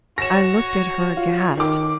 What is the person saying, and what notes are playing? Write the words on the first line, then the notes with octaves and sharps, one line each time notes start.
I looked at her aghast.
F#4 C#5 A#6 E7
F4
D#3 D6